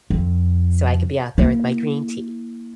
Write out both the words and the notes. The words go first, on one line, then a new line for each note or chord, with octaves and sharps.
with, so I could be out there with my green tea.
F2
A#3 E4